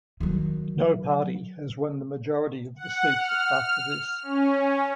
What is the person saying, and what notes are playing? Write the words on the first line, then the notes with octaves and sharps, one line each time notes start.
No party has won the majority of the seats after this.
D#3 F#3
F#5
F6
C#4